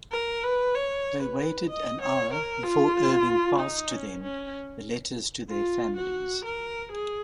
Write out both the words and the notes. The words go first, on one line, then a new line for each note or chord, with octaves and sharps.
They waited an hour before Irving passed to them the letters to their families.
A#4
B4
C#5
B4
D#5
C#5
A#4
F4
D#4
C#4
C#4
F4
F#4
A#4
G#4